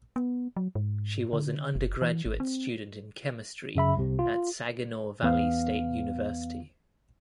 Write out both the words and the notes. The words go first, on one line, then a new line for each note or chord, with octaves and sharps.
She was an undergraduate student in chemistry at Saginaw Valley State University.
B3
F#3
G#2
D3
F#1
E3
G#1
C4
F#2 C#3 E5 B5
C2 C3
F4
E2 B3 F5